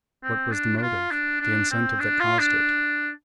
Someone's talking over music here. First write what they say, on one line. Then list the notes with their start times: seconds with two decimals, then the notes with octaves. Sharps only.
What was the motive, the incentive that caused it?
0.23 C4
0.52 D4
0.77 D4
0.82 F4
1.11 D4
1.41 D4
1.71 C4
2.00 D4
2.20 F4
2.39 D4